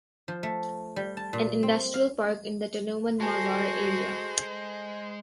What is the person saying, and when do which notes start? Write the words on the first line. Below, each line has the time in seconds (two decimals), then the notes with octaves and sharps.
An industrial park in the Tanauan-Malvar area.
0.28 F3
0.43 A3
0.96 G3
1.17 A5
1.33 A#2
1.63 C4
1.94 F5
3.21 G#3 F#4 A4 C5 G#5 A5